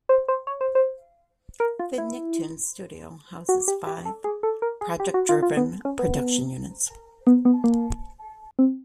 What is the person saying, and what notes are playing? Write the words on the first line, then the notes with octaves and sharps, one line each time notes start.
The Nicktoons studio houses five, project driven production units.
C5
C5
C#5
C5
C5
A#4
F4
E4
F#4
G4
G4
A4
G#4
A4
A#4
G#4
G4
F#4
F4
F4
B3
C#4
B3
B3
B3
A#3
C4